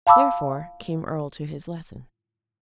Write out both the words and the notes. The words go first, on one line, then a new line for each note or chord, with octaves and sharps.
Therefore, came Earle to his lesson.
F5 A5 B5 D6 E6